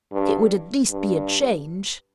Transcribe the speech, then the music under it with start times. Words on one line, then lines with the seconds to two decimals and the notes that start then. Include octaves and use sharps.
It would at least be a change.
0.12 G2
0.90 G2